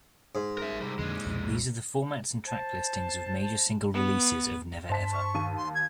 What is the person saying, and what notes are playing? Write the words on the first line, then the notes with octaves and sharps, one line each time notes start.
These are the formats and track listings of major single releases of "Never Ever".
G#2
A#4 E5
C3 G3
F2 A#2 D3 D#3 G#3
C2 F2 B2
C5 A5
B3
G2 C5 A5 B6
C#6
D#2 A5 D#7
C6
G#6